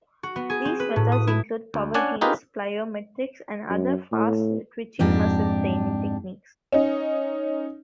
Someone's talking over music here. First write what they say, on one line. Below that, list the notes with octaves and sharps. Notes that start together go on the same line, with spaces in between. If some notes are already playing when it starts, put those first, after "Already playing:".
These methods include power cleans, plyometrics, and other fast twitching muscle training techniques.
F#4
B3
G#4
C4
B4
A2
D#6
E4
D2
C#4 D4 D5 F#5 G#5
D#4 F4 G4 G#4 A#4 B4
F#2
A2
F2 G#2 D4 G4
C#4 D#4